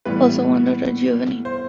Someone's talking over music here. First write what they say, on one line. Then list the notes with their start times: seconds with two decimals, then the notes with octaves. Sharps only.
Also one daughter, Giovani.
0.05 A2 E3 G3 B3 B4
1.45 C5